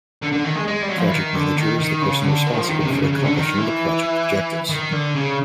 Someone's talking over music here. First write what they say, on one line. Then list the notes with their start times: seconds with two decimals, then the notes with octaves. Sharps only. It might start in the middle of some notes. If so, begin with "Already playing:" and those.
A project manager is the person responsible for accomplishing the project objectives.
0.22 D3
0.32 D3
0.44 D#3
0.55 G#3
0.67 G#3
0.82 G3
0.89 F#3
0.97 F3
1.04 E3
1.11 D#3
1.34 D3
1.56 D#3
1.78 D#3
2.01 C#3
2.23 D3
2.47 D#3
2.57 F3
2.69 D#3
2.80 D#3
2.85 C3
2.91 C#3
3.02 C#3
3.13 C#3
3.24 D3
3.36 D#3
3.58 E3
4.70 D#3
4.93 D3
5.15 C#3